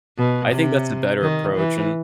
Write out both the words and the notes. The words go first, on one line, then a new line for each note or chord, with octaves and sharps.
I think that's a better approach, and
B2
C3
D#3
E3